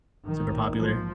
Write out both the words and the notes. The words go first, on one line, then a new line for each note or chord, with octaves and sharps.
Super popular.
A#1 G#2 D#3
F3